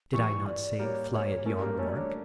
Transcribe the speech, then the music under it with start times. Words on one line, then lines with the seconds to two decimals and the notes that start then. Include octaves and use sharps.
Did I not say: 'Fly at yon mark'?
0.13 E3 G3 C#6
0.46 D5
0.79 G3 A#3 C#5 D5
1.12 C#5
1.46 A3 C#4 A#4
1.62 G3 A#3
1.78 A3 C#4 C#5
1.88 D5
1.95 A#3 D4 C#5